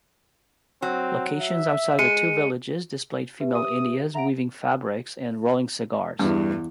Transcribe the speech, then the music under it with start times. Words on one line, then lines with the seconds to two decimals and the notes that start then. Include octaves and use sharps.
Locations outside the two villages displayed female "indias" weaving fabrics and rolling cigars.
0.82 F#3 C4
1.41 E5
1.99 G#3 C#7 D#7
3.40 G4 B4 E5
3.55 D#6
4.15 E5 F#5 A#5 D7
6.19 E2 G2